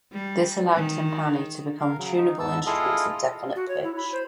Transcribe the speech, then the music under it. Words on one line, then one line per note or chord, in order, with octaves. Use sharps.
This allowed timpani to become tunable instruments of definite pitch.
G3
D#3
A#4 F5
C#3 F#3
D#4
E2 G#2 B3 A5 E6
E4 F4 G#4 A4 D#5 F5
F#4
C#5
E4
B5
C5